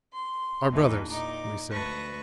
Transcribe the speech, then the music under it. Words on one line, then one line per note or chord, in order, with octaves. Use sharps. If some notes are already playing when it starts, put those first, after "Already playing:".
"Our brothers!" we said.
C6
E2 A#2 E3 D4 D#4
A#2 D#4 D6
D2 B4 A5 C#6 A#6